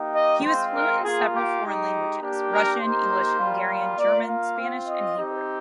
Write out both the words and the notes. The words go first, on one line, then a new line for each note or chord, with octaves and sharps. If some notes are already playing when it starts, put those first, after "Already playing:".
He was fluent in several foreign languages: Russian, English, Hungarian, German, Spanish and Hebrew.
Already playing: A#3 D#4 G4
D#5
G#3 C4 F4 C5
A#4
A#3 F4 G#4
G4
G#3 D#4 G4
A#3 D4 G4
A#4
A#3 D#4 G4 C5
G3 A#3 F4
A#3 F4 D5
F5
C4 F4
D#5
C4 D#4 G4